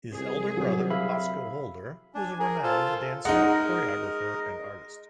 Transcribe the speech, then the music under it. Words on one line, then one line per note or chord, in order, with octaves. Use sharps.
His elder brother Boscoe Holder was a renowned dancer, choreographer, and artist.
C2 G#4
F#3 C4
E5 F5 B5
D4 G#5
G#4 A#4
F4 A4 C5
G#3 D#4 A#4 D#5 F#5